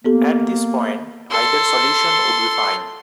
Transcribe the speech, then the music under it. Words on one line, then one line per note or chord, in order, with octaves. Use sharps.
At this point, either solution would be fine.
A#3 B3 G4 A4
A4 C6